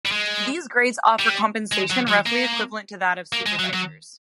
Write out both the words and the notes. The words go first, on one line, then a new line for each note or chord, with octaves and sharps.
These grades offer compensation roughly equivalent to that of supervisors.
G3
G#3
G3
G#3
F#3
F#3
A#3
A#3
G#3
F#3
F#3